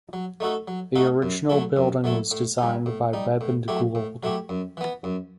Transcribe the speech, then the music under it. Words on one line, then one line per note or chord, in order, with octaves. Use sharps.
The original building was designed by Bebb and Gould.
F#3
A3 D#4 F#4 A4
F#3
A3 D#4 F#4 A4
F#2
F#3 A3 E4 A4
F#2
F#3 A3 E4 A4
A2
G3 D#4
A2
G3 D#4
A2
F#3 A3 E4 G4
A2
F#3 A3 E4 G4
F#2
E3 B3
F#2